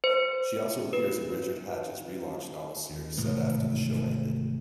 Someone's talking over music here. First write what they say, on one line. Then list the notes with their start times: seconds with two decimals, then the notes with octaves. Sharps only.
She also appears in Richard Hatch's re-launch novel series set after the show ended.
0.04 C5
0.93 B4
2.90 D#2
3.17 G#1 A2 C3 E3